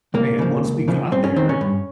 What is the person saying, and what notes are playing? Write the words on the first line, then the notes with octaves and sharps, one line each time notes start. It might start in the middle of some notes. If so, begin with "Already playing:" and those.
And once we got there,
C#2 A#3
C#3 F3
C#2
C#3 F3
G2 C4
C#4
D#3 C4
C#4
G2